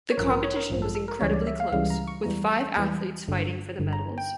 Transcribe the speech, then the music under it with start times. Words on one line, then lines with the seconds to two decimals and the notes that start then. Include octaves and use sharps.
The competition was incredibly close, with five athletes fighting for the medals.
0.12 C#5
0.17 A1 G2 F3 A#4
0.30 A#4
0.44 C#5
0.56 A#4
0.70 A1 G2 F3
0.82 A4
0.95 A4
1.08 A#4
1.21 C#2 C#3 E3 G3 C#5
1.33 D5
1.47 E5
1.60 F5
1.72 C#2 C#3 E3 G3 F5
1.90 A#5
2.07 C#6
2.24 E2 E3 G3 A#5
2.77 E2 E3 G3
3.28 G1 G2 D3
3.78 G1 G2 D3
3.93 A#5
4.18 G5